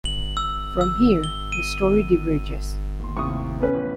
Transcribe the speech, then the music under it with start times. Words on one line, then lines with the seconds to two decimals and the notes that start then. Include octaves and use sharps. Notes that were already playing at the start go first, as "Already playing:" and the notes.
From here, the story diverges.
0.05 F#7
0.37 E6
0.81 E6
1.24 G7
1.52 D#7
2.99 D#2 C6
3.17 D#2 A2 C3 C#6 D#6
3.60 B3 C#4 B4
3.74 A1